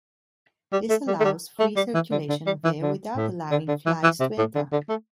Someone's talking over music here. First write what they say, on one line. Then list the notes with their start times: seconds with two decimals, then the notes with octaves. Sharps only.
This allows free circulation of air without allowing flies to enter.
0.73 G3
0.90 A3
1.07 G3
1.20 A3
1.24 G3
1.60 A3
1.76 G3
1.94 E3
2.11 D3
2.29 D3
2.46 G3
2.64 E3
2.82 D3
3.16 A2
3.51 D3
3.68 D3
3.86 E3
4.03 E3
4.20 C3
4.38 A2
4.55 D3
4.72 D3
4.89 A3